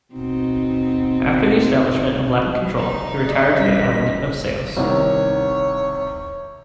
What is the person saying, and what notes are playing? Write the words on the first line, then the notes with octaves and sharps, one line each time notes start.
After the establishment of Latin control, he retired to the island of Ceos.
B2 C4 D#4
D#4
D5 D#5
E3 G3 C#4 D#5 B6
C2 C3 D#3 C#5